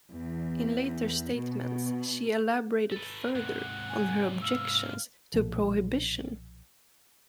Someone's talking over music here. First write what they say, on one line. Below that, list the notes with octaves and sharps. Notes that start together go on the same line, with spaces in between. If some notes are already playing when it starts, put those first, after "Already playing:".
In later statements, she elaborated further on her objections to prohibition.
E2
B2
A4 B4
G#2 C3 F#5
G#5
F5 E6
B1 A#2 F3